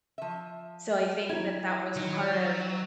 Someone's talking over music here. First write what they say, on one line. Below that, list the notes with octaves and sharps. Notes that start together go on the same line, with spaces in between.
so I think that that was part of
F3 E5
F#3 E4 G#6
D#3 F#3